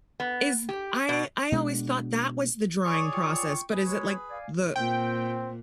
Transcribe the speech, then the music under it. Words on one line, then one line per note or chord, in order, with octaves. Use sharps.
is I I always thought that was the drying process, but is it like, the
B3
G4
B2
B2 G#3 B3 D4
G#4 C#5 D5 G#5 C#6
F4 G5 C#6
G#4 B4
G#3 F#4 C#5
D5 F5 G#5
A#2 C4 G5